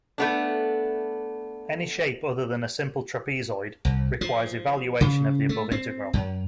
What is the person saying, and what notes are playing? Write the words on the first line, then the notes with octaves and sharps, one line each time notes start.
Any shape other than a simple trapezoid requires evaluation of the above integral.
A3 B3 D4
C2
F3
C#3
A3
C4
F#2